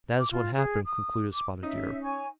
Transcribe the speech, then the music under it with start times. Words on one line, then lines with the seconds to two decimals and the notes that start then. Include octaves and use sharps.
"That is what happened," concluded Spotted Deer.
0.19 D6
0.31 F4
0.56 G#4
0.86 D#6
1.33 D6
1.63 C#4 D#4 E5
2.02 C#5 G#5 C#6